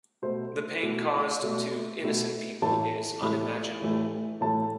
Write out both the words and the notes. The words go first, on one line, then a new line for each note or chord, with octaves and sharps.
The pain caused to innocent people is unimaginable.
B2 A3 C5
B2 A3
B2 A3
B2 A3
A2 E3 A3 A5
A2 E3 A3 B5
A2 E3 A3
A2 E3 A3 A5